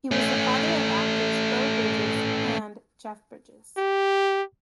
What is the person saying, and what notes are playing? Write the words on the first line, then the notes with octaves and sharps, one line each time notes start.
He was the father of actors Beau Bridges and Jeff Bridges.
A3 C#4
G4